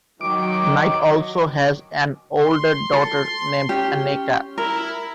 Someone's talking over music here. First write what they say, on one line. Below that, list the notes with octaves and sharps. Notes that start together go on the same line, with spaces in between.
Knight also has an older daughter named Aneka.
D#3 F#3 D6
C6
A4
C#4 G4
E4 A#4